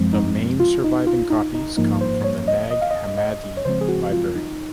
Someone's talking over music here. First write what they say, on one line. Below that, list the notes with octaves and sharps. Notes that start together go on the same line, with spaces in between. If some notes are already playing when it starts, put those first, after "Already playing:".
The main surviving copies come from the Nag Hammadi library.
Already playing: F#2 F3 G#3 C4
D#4
F4
D#4
F4
D#4
D#4
G#2 F3 A#3 D#4
C5
C#5
D#5
D#5
F5
D#5
D#5
C#5
C#3 F3 G#3 C4 C5
G#4
F#4
F4
D#4